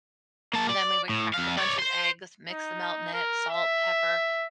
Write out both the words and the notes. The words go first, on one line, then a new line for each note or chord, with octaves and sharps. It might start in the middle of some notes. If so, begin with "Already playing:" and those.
then we would crack a bunch of eggs, mix the melt in it, salt, pepper,
A#3 A5
D5
A2
F2 F5
C#5 D5
C5 C6
D#4
A#4
E5